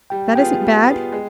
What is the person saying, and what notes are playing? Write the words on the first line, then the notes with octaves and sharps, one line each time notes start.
That isn't bad.
G3 G5
B3 F4 G#4 G5
G3
B3 F4 G#4
G#3